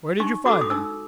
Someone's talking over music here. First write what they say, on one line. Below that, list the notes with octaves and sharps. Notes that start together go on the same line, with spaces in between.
"Where did you find them?"
D#4 C#6
F#4 A4 D6
D#6
D#4 E6